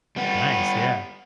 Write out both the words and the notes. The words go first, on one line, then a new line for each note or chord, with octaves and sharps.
Nice, yeah.
G3 B3